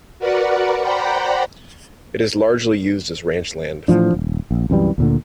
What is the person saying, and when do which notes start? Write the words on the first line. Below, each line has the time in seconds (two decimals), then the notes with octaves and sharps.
It is largely used as ranch land.
0.19 F#4 A#4 B4 D5 F#5
0.80 C5 D5 F#5 G5 A#5 B5
3.88 A2 E3 F3 D4
4.14 D#1
4.51 A#1
4.70 C2 F#2 E3 G3
4.98 D2 A#2 D3